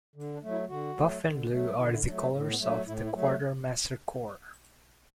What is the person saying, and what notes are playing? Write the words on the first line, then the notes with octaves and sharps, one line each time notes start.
Buff and blue are the colors of the Quartermaster Corps.
D3
D4
F#3 A3
E4
D3 F#4
F#3 A3
D3
F#3 A3
D3 E4
E4
F#3 A3 D4
A2 C#4
B3
F#3 A3
D4
A2 E4
E4
F#3 A3
G#4